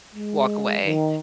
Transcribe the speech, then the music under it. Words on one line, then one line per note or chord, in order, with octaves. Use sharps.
walk away,
G#3
D#3